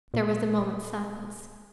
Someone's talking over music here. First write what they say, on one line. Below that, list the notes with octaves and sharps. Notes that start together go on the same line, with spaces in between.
There was a moment's silence.
A#2